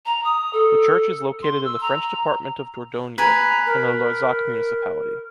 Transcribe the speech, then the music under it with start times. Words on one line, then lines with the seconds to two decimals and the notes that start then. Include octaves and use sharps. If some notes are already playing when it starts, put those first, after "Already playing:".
The church is located in the french department of Dordogne, in the Larzac municipality.
0.06 A#5
0.24 D#6
0.53 A4
1.42 C6
1.65 E6
1.81 A#5
3.18 B4 G#5 A#5
3.66 A#4